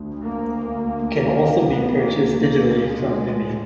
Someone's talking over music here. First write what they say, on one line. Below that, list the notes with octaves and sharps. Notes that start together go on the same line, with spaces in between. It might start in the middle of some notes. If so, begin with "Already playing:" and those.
Can also be purchased digitally from Vimeo.
Already playing: D2
A#3
A#3
D2 B3
A#3
A#3
G#3